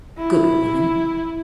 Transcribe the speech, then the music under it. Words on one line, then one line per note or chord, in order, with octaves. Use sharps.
Good woman!
E4